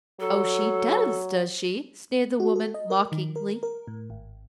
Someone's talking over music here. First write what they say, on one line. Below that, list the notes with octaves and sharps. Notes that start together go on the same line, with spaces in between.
"Oh, she does, does she?" sneered the woman mockingly.
F#3 A4
F#4
A4
D#5
A#4
D#3
A#4
A#4
A2
G#1